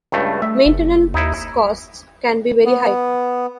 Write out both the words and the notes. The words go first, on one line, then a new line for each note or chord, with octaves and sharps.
Maintenance costs can be very high.
C#2 G2 A3
A3 E5
F#1
D#2 D#4 E4
B3